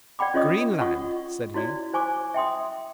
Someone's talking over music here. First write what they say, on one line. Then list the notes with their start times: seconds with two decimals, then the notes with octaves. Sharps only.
"Greenland!" said he.
0.19 D5 F#5 G5 B5 D6
0.34 C#4 F4 C#5 D#5 C#6 D#6
0.81 F4 F#5 C#6 D#6
1.54 E4 F#4 C#5 D5
1.94 C5 G#5 C#6 D6
2.34 E5 G5 C6 D#6